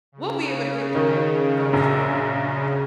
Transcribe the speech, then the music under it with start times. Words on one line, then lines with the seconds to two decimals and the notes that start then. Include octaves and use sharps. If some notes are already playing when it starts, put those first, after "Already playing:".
we'll be able to get through it, but I'm sure.
0.12 C#3
0.95 D#3
1.73 A#1 F#2